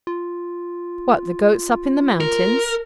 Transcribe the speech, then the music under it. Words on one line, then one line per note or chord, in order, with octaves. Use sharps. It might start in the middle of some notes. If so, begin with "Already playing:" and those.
"What, the goats up in the mountains?"
F4
A#4